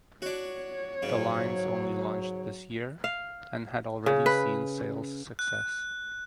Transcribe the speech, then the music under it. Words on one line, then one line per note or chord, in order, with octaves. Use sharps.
The lines only launched this year and had already seen sales success.
D4 F#4 C#5
G#2 C#3 F#3
F5
C#3
B4
F#6